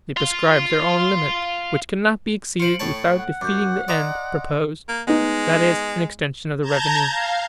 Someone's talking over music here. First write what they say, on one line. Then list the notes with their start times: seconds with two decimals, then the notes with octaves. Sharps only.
They prescribe their own limit; which cannot be exceeded without defeating the end proposed, that is, an extension of the revenue.
0.17 F5 C6
2.60 F4 C5 C#7 D7 F#7
2.80 A2 C#5 A5
3.18 F#5
3.41 F#2 D6 G6
3.88 D5 D#5 A#5 C6 D#6
4.89 A#3
5.07 G#3 B3 D#4
6.61 A5 A#5 G6 G#6 A#6
7.10 F5